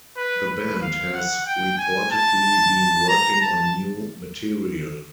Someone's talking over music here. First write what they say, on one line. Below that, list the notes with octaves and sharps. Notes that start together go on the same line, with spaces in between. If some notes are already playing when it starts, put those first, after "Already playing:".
The band has reportedly been working on new material.
B4
B4
F5
F#5
G5
G#5
A5
A#5
A5